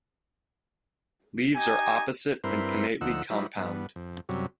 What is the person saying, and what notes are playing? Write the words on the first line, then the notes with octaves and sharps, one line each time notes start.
Leaves are opposite and pinnately compound.
D#4 G4 G#5
G2 C4 E4 A#4 B4 C6
D2 F3 D#4 F#5 E6
F#3 G3 D#4 E4 B4
G2 B3
F2
F#2 C3 F#3 G3